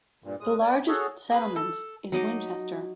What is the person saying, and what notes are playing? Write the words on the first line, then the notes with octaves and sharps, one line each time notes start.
The largest settlement is Winchester.
G2 A#2
A2 G#3 D#6
D5 G#5
F#4 G#4 A4 C#5
G#4 B4
A4
F#3 D#4 D#5 D6